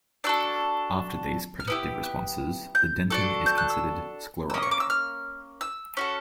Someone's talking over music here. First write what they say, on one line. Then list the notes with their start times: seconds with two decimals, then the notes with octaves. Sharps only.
After these protective responses, the dentin is considered sclerotic.
0.24 D4 F#4 A4 E6
1.60 F6
1.67 B3 E4 G4 E6
2.03 F#6
2.75 G6
3.10 D4 F#4 A4
3.46 G6
3.58 F#6
3.70 E6
4.50 E6
4.54 A#3 C#4 D#6
4.63 C#6
4.71 D6
4.80 E6
4.90 F6
5.61 E6
5.97 C#4 F#4 A4